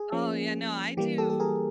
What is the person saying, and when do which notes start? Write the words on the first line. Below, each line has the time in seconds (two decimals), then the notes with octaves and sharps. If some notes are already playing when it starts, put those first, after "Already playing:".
Oh, yeah, no, I do
Already playing: G#4
0.12 F3 A#3 C#4
0.97 E3 G3 A#3 G4
1.18 G4 A4
1.30 A4
1.40 G#4 A#4